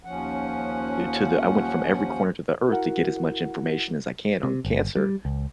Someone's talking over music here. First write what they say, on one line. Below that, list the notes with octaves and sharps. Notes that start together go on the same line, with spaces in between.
to the I went from every corner to the earth to get as much information as I can on cancer,
D#2 F3 C#4 F#5
E4 F#4 A#4 F#5
C3
G1
G3
C#2